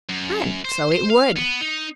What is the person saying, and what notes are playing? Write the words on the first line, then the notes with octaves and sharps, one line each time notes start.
And so it would.
F#2
C5
C5
F5
B3
D#4